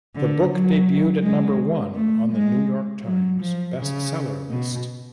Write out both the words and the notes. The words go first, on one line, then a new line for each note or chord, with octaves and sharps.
The book debuted at number one on "The New York Times" Best Seller list.
D3
F#3
G#3
A3
G#3
F#3
F3
C#3
B2